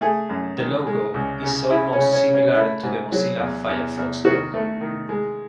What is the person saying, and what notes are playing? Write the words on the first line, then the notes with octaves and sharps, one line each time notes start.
The logo is almost similar to the Mozilla Firefox logo.
A3 G#4
F#2
D#3
G#3
C#2
C#3
C#3 E4
C#4
C#3
C#4
C#3
C#4
A3 E4
G#2
F#3
E2
E2
E2
D#3 F#4
A3
D#3
G#3